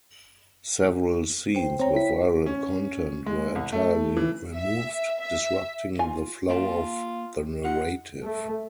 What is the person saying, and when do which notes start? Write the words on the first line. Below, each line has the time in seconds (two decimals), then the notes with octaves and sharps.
Several scenes with violent content were entirely removed, disrupting the flow of the narrative.
1.55 C5 G5
1.80 C4 C#5 G5 A#5
1.95 E4 B6
2.46 C#4
3.26 G#3
3.56 C2
3.72 A3
4.17 E3
4.55 E5
5.21 E5
5.99 F4 G#5
6.49 A#3 F4 G5 A5
7.64 D#4 F4 F#5
8.23 A3